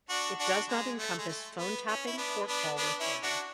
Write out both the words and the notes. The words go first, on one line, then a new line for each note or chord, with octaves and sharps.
It does not encompass phone tapping or call recording.
D4 F#4
D4 F#4
G#3
A3
G#3
A3
B3
C#4
E4
B3 D4
B3 D4
B3 D4
C#4 E4
D4 F#4